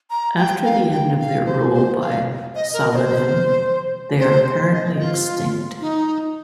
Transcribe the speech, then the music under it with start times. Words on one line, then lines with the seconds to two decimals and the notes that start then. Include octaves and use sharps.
After the end of their rule by Saladin they are apparently extinct.
0.10 A#5
0.37 G5
0.64 F5
0.93 G5
1.20 F5
1.46 C5
1.73 C5
2.00 F5
2.55 D#5
2.74 A#4
2.91 D#5
2.95 C5
4.19 C5
4.73 D#5
4.99 F4
5.81 D#4